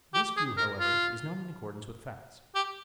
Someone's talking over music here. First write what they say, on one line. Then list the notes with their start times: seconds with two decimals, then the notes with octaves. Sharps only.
This view, however, is not in accordance with facts.
0.14 G4
0.37 G#4
0.57 A#4
0.80 F4
2.55 G4